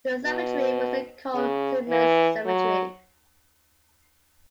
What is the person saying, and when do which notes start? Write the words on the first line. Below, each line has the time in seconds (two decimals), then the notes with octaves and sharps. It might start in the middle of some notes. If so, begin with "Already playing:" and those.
The cemetery was then called Saint Mary's Cemetery.
0.24 B2
1.35 C#3
1.90 E3
2.46 F#3